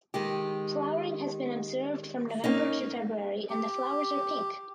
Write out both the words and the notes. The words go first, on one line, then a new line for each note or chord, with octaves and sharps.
Flowering has been observed from November to February and the flowers are pink.
D#3 G#3 G4
A#3 C#4 D#4
G4